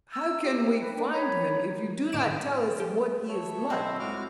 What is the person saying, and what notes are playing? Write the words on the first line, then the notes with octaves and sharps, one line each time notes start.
"How can we find him, if you do not tell us what he is like?"
E6
G4
B4
D4 G5
C#5 A#5 B5
G#1 A2 D3 D6 D7 E7
C#4 G4 A4
A4 C#5 E5
B2 F#3 C4 E4 C5 D#5
C#2 A2 G#3 F#4 D6 F6